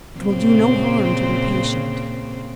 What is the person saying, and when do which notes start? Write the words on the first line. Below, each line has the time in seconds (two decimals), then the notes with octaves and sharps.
It will do no harm to be patient.
0.17 A#2 C#3 C4